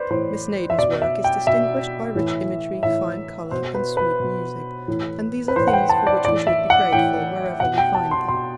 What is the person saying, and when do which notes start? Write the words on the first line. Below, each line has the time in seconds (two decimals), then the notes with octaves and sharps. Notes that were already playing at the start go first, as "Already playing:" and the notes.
Miss Naden's work is distinguished by rich imagery, fine colour, and sweet music, and these are things for which we should be grateful, wherever we find them.
Already playing: B4 C5 D5
0.10 A2 E3 C5
0.70 E5
0.78 B2 D5
1.02 E5
1.24 G5
1.47 B2 E5
2.15 A2 E3
2.83 A2 E3 E5
3.51 B2 C5
3.75 B4
3.97 B4
4.20 B2
4.88 A2 E3
5.48 B4
5.56 A2 E3 C5
5.68 F#5
5.73 G5
5.89 A5
6.07 D5
6.24 A2 E3 D5
6.47 E5
6.70 F#5
6.93 A2 E3 G5
7.60 B2 F#5
7.78 G5
7.95 A5
8.11 C6
8.29 B2 C6